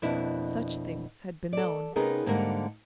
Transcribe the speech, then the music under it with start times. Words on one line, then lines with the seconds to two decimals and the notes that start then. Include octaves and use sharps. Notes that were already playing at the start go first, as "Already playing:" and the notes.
Such things had been known.
0.02 F2 B2 A#3 D4 E4
1.53 A4 D5
1.96 C3 B3 C#4 D#4 G#4 A#4
2.26 G#2 D3 G3 A#3 A#4 F#5